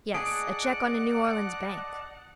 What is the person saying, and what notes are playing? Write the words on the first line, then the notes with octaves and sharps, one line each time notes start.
"Yes, a check on a New Orleans bank."
G#4 D5 D#5 F#5 A5 D7